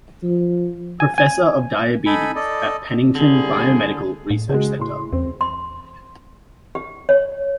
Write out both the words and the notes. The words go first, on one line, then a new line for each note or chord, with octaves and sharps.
Professor of Diabetes at Pennington Biomedical Research Center.
F3
G#5
G#5
D#4 A4 G#5 B5
A4 D5 D#5
C2 D3 G3 G#4
A2
C#3 G#3 F#4 G#4
A2 C6
E2 C4
C6
G4
C#5